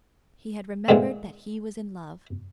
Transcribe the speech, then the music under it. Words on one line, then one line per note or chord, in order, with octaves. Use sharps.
He had remembered that he was in love.
A#2 D3 E3 G#3 C4